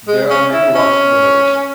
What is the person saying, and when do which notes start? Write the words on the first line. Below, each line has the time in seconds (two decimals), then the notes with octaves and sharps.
There are many walks from the village.
0.08 G#3
0.30 C#4
0.53 E4
0.75 C#4